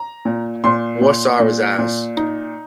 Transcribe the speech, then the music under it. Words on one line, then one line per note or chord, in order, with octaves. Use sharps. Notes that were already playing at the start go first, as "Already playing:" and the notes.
Warsaw is ours!
Already playing: A#5
A#2
A#2 C6
A#2
A#2
A#2
D#4